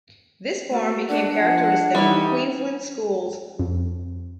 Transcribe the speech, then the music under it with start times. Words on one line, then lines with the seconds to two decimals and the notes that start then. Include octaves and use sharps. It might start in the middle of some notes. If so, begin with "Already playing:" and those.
This form became characteristic of Queensland schools.
0.71 A3 F#4
1.09 D4 D5 F#5
1.40 F3
1.95 E3 G3 D#4 E4
3.59 F2